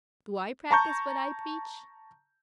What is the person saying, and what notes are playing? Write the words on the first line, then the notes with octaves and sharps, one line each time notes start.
Do I practise what I preach?
A5 A#5 C#6 G6